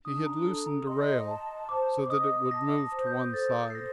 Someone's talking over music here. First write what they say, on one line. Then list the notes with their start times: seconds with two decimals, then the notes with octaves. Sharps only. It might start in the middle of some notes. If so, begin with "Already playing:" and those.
He had loosened a rail, so that it would move to one side.
0.05 D4 D#6
0.26 A#5
0.46 A4
0.67 A#5
0.87 D#5 C6
1.28 A5
1.69 C5 D6
2.04 D6
2.10 D#5 D#6
2.51 A5 A#6
2.78 A#6
2.93 C5
3.07 G6
3.33 A4 A6
3.70 C7
3.74 C5 A#6